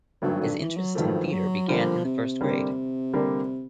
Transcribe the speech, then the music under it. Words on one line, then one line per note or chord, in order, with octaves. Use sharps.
His interest in theatre began in the first grade.
G#1 G2 D3 D#3 F#3 A3
D3
E3
F#3
G#1 G2 D#3 F3 F#3 A3
F3
F#3
D3 F3 G3 A#3
C3
D3 G3 A#3
D3 G3 A#3